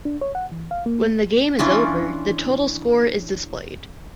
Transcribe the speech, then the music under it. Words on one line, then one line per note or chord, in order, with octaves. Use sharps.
When the game is over, the total score is displayed.
D4
C#5
F#5
E3
F5
A#3
E3 C#4 D4 F4